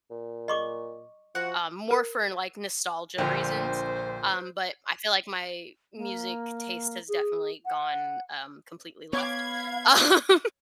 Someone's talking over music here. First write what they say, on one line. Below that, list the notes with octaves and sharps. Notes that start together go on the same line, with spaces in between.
um, more for like nostalgia reasons. Um, but I feel like my music taste has definitely gone, um, completely left, um.
A#2
D#5 C#6 D6
F3 F#4 F#5
A#4
A#1 A#2 D3 C5 G5
A#3
G#4
F#5
B3 C#5 F5 B5 D6 G#6